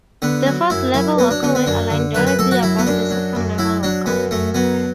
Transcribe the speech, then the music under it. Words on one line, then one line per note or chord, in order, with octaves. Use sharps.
The fourth level walkway aligned directly above the second level walkway.
D3 B3
F#3
F#2 E4
F#2 E4
F#3 B3
D4
D3 B3
B3
F#2 D4
D3
F#2 B4
B4
F#2 A4
F#4
F#3 E4
B3
F#2 D4
F#3
F#2
F#3 E4
F#3 D4
F#2 B3
F#2 A3
F#3 B3